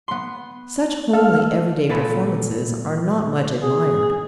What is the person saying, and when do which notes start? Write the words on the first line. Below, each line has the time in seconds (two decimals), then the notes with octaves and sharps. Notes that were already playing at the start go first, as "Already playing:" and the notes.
Such homely, everyday performances are not much admired.
0.08 B3 C6
1.13 A4 F5
1.89 A#2 A4 B4
3.62 G#4